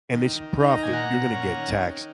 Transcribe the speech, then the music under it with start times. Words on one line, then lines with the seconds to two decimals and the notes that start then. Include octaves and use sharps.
and it's profit, you're going to get taxed
0.12 D#3
0.36 D#3
0.60 D#4
0.71 A#5
0.83 A#2 G#5
0.93 F#5 A#5
1.09 A#2
1.33 C#4
1.56 D#3
1.81 D#3